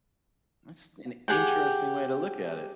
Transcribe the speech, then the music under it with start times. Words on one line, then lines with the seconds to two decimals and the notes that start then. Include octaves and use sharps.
That's an interesting way to look at it.
1.28 G4 G#4 F#5 G5